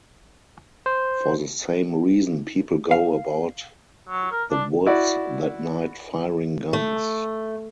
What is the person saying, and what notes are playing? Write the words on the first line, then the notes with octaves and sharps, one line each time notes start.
For the same reason, people go about the woods that night firing guns.
C5
F5
F#3
A#4
D4
E4 F#4 D5
A3